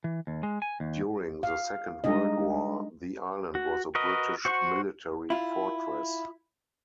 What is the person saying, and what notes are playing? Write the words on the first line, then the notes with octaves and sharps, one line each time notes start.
During the Second World War, the island was a British military fortress.
E3
D#2
G#3
G#5
D#2
F5
G3 G#3 D4 D#4 D#5
F#4
F#4 A#4 B4 D#5
F#4 C5 F#5 C#6
E4 F4